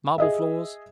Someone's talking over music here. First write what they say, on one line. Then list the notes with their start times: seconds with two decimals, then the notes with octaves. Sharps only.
Marble floors.
0.18 G#4 D#5 E5